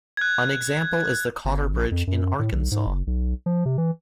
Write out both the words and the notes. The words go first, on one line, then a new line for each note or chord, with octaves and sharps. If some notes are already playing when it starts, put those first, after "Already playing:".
An example is the Cotter Bridge in Arkansas.
F#6 G#6
G1
A#1
F2
F#2
A2
B1
G#2
F#1
B1
F3
C3
E3